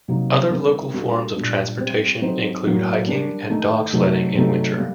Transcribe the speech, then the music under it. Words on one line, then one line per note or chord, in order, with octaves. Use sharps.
Other local forms of transportation include hiking and dog-sledding in winter.
C3 F#3 A#3 D#4
D#3 G3 C4 G4 A#4
G3 D4 F#4 A4
A#2 G3 D4
G3 C4 G4 C5
F#3 C4 D#4 A4 C5
A2 F#3 A#3 F#4 A#4
G3 D4 G4 A#4
D#3 A3 D#4
C3 F#3 A3 D#4 A4
C3 F#3 A3 D#4 A4
G3 A#3